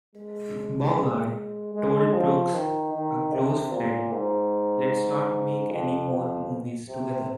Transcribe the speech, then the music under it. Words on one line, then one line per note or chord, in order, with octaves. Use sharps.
Bogart told Brooks, a close friend, let's not make any more movies together.
G#3
G#3
F3
D#3
D#3
C3
A#2
G#2
F2
F2
C3